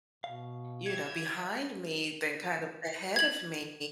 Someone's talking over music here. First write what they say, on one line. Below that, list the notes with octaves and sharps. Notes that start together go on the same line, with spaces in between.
you know, behind me than kind of ahead of me,"
B2 F5
G4 E5 G#6
G#6 F#7